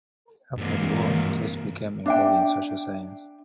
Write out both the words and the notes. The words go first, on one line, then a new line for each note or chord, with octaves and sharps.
After the war, Chase became involved in social science.
G2 G#3 A#3 C4 A#4
D4 E5 G5